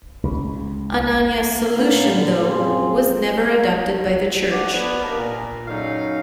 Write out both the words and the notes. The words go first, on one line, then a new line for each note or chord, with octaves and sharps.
Anania's solution, though, was never adopted by the Church.
C#2
A2 A#3 B3 C#4
A#2 D3
F#2 C4 F4 G#4
G2 A3 C#5 D5 F#5
B3 D5
A#3 D4 D#4 G4 A#4
A#2
F#2 C#3 F#3 A3 D#4 F5